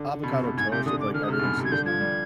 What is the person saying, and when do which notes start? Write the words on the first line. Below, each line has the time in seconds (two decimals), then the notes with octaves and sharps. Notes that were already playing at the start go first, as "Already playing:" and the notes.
avocado toast with, like, everything seasoning.
Already playing: D3
0.23 B2
0.29 C3
0.44 B2
0.57 G#2 G#6
0.72 C3 G6
0.86 D3 D#6
1.00 D6
1.14 D3 F6
1.24 D#6
1.28 C3 F6
1.39 G#2
1.43 B2
1.58 C3
1.65 G#6
1.72 D3 G6
1.86 F3 G#6
2.00 G3